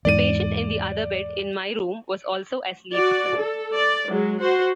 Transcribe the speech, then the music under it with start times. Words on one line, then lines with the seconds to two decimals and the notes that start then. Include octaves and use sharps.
The patient in the other bed in my room was also asleep.
0.05 E2 G#2 D5 D#7
2.93 F#4 D5
3.38 A4
3.74 D5
4.09 F#3 G#3
4.40 F#4 C5